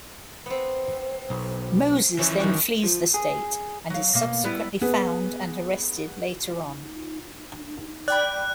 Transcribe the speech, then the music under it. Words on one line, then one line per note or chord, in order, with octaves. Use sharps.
Moses then flees the state, and is subsequently found and arrested later on.
B3 C4
B1
E3 F3 C#4
D#3 F#4
F3
G#4
F#3 F5
B2 A#3
G3 B3 E4
B3 G#4 B4
D5 G5 B5 F#6